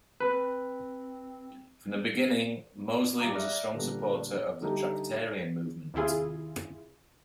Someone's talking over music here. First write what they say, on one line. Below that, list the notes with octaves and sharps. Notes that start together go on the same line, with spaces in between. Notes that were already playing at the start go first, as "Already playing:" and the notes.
From the beginning, Mozley was a strong supporter of the Tractarian movement.
C4 B4
G3 F5 A#5 D6 D#6
D5 E5 F6 F#6 A#6
A#2 D3 G3 A#3 B3
D3 G3 A3 D#4 G4
D#2 C3 E4 F4 G#4